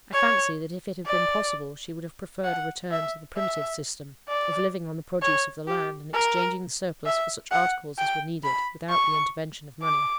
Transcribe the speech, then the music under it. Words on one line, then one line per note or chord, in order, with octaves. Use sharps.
I fancy that if it had been possible, she would have preferred a return to the primitive system, of living on the produce of the land, and exchanging the surplus for such articles as were needed, without the intervention of money.
C#5
D5
F#5
E5
E5
D5
C#5
G4
A#4
E5
F#5
G5
B5
C#6
D6